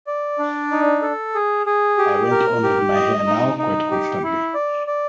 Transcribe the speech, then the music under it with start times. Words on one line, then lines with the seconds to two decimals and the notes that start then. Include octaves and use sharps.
I went on with my hair now, quite comfortably.
0.07 D5
0.39 D4
0.71 D#4
1.02 A4
1.35 G#4
1.66 G#4
1.98 G4
2.31 A#4
2.63 G4
2.95 D#5
3.27 D#4
3.58 D#4
3.91 G4
4.23 E4
4.54 D5
4.87 D5